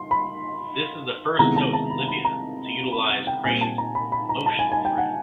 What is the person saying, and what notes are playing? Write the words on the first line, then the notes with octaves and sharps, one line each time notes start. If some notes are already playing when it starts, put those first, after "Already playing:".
This is the first note in Libya to utilize Crane's "Motion" thread.
Already playing: C6
B5
C3 D#3 G#3 B3 E4 A#5
A5
A5
B5
B5
A#5
B5
F#5
G5
A#2 G3 C4 G#5
A5
A#5
B5
B5
A#5
A5
G#5
G#5
G5
F#5